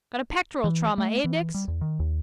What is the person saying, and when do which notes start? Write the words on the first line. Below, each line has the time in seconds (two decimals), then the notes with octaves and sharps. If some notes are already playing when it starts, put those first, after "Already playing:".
Got a pectoral trauma, eh, Dix?
0.64 E3
0.98 A3
1.24 E3
1.54 G3
1.68 E2
1.81 D#3
2.00 D#2